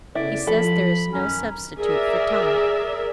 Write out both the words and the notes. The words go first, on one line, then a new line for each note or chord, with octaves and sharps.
He says there is no substitute for time.
C#3 B3 E4 A4 D5
F3 A4 B5
F#2 D#3 C#4 A#5
G#4 A#4 D5 E5